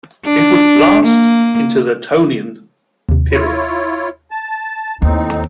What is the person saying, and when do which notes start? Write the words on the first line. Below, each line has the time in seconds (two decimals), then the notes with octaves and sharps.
It would last into the Tonian period.
0.25 D4
1.04 A#3
3.09 D#2 C3
3.32 E4 F4 C#5
4.31 A5
5.02 D#2 A2 C4 D#4